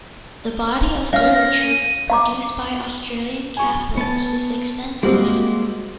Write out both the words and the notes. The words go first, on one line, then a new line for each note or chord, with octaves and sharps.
The body of literature produced by Australian Catholics is extensive.
C#4 C#5 F5 F6 A#6
D#7
F5 A#5 D6
G#5 C#6
B3 A5
G3 G#3 A#3 C4 F#4